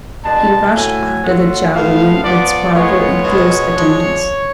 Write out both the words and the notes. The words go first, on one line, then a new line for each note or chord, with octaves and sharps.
He rushed after the charwoman, with Spargo in close attendance.
B2 G#3 D4 A5
A2 F#3 A3 G#5
F#3 A3 F4 F#5
A2 F3 B3 F5
F3 B3 F4 D5
A2 G#3 B3 F4 C#5
B2 G#3 B3
F3 G#3 D4